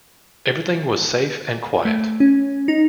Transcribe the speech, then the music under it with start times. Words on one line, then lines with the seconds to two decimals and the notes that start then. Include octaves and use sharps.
Everything was safe and quiet.
1.85 A3
2.20 C#4
2.68 D#4